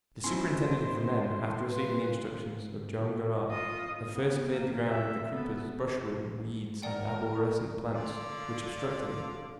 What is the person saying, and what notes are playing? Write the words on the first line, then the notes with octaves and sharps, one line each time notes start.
The superintendent of the men, after receiving the instructions of Joam Garral, had first cleared the ground of the creepers, brushwood, weeds, and arborescent plants which obstructed it.
D#3 C#4 E4 C5 C6
G3 B4 F5
F4 D#5
B3
A#3
E5
B3 A4
A#4 D5 F#5 G5
D3 F4 D5